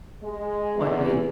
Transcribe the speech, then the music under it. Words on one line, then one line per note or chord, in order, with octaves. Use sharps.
What do we
G#3
E2